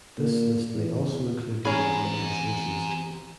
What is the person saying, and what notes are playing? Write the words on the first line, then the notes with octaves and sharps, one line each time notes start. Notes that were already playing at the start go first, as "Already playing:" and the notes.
This list may also include data from other sources.
A#2
E2
E3 C4 C#4 G4 G#4 G#5 A#5 B5